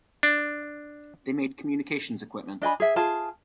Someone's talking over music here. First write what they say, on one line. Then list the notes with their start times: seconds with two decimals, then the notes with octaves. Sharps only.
They made communications equipment.
0.23 D4
2.62 D4 D#5 G#5 B5
2.80 G#4 E5
2.96 F4 G#4 A5